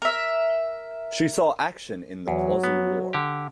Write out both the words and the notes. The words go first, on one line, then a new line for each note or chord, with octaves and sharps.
She saw action in the Quasi-War.
A#4 E5
E2 F#3
B3
D3 G4